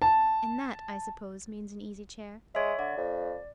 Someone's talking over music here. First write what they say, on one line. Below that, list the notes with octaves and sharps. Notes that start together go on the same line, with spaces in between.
"And that, I suppose, means an easy-chair?"
A5
G#3 C#5 E5
D3 D5
F2